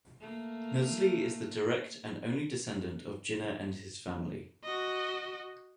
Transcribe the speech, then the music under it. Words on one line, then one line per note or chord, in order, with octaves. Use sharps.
Nusli is the direct and only descendent of Jinnah and his family.
A3 A#3
F#4 D#5